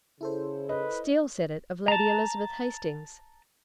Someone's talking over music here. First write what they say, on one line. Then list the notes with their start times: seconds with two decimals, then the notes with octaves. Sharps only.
'Steele said it of Lady Elizabeth Hastings.'
0.21 C#3 E4 A4 C5
0.69 B4 D#5
1.88 A5 A#5